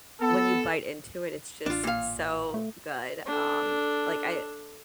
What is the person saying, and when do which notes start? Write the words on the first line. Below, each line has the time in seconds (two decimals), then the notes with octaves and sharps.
when you bite into it, it's just so good, um, like, I
0.21 B3 A4
1.66 A1 D4 F4
1.84 A#2 F5
2.54 A3
3.26 D4 A4